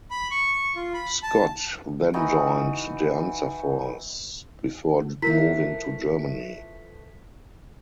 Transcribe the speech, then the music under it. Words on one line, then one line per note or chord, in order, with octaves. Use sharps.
Scott then joined De Anza Force before moving to Germany.
B5
C#6
F4
B5
A5
E3 D#4 F#4
E3 F3 A3 E4 A#4 B6